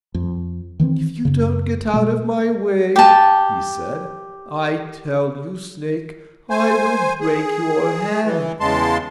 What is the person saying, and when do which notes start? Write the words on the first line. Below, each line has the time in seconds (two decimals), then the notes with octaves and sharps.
"If you don't get out of my way," he said, "I tell you, snake, I will break your head."
0.14 F2
0.80 D#3 E3 G#3 C4
1.25 F#2 C#3
1.94 B2 G#3
2.96 G4 A5
6.50 C5 G#5
7.21 G#4
8.24 E3
8.60 E2 C#3 G#3 A5 C6